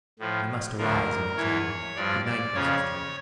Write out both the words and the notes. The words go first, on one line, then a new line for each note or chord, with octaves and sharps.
I must arise and examine. Good night, my sister.
A2 F3
D2 D3 F3 A#4
E2 E3 C#5
G2 F3 D5
D5
F2 C#3 F3 C#5